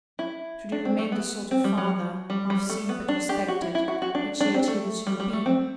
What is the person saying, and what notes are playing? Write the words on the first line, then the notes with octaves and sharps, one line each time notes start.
Should he remain the sort of father, half seen but respected, which he had hitherto been?
E4
D4
C4
A3
B3
C4
G3
F#3
G3
G3
A3
B3
D4
G4
F#4
E4
E4
F#4
F#4
D4
D4
C4
A3
G3
G3
A3
C4